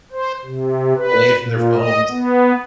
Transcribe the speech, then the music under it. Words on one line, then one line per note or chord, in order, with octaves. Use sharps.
away from their phones,
C5
C3
B4
A#2
D#5
B3